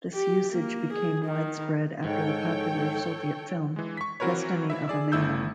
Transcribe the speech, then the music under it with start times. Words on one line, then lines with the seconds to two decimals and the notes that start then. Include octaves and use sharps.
This usage became widespread after the popular Soviet film "Destiny of a Man".
0.13 G4
0.53 A#3
0.93 G#4
1.25 D#3
2.04 G#2 A4 C#5 G5
3.76 E3 G#3
3.97 C#6 B6
4.20 E3 C4 F#4 A#4 B4 C#5
4.70 E3 E4 E5
4.88 G#4 D5 E6
5.12 G1 A3 E4 E6 G6